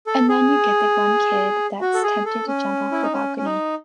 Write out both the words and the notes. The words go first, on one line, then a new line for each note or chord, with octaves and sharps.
And then you get the one kid that's tempted to jump off the balcony.
A4
G#4
F#4
A4
G#4
A4
C#4
E4
D#4
C#4
C#4
D#4